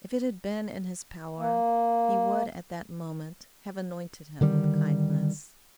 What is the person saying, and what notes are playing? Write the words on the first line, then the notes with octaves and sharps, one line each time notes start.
If it had been in his power, he would at that moment have anointed him with kindness.
A#3
D3 D#3 G3